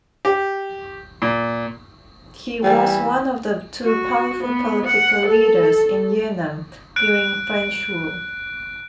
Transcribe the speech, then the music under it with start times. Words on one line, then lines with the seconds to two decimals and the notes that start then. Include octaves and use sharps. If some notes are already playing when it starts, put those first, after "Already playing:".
He was one of the two powerful political leaders in Yanam during French rule.
0.25 G4
1.22 A#2
2.63 E3 G3
3.83 F#4
4.42 B3
4.86 F#5
5.25 A4
6.96 F#6 D7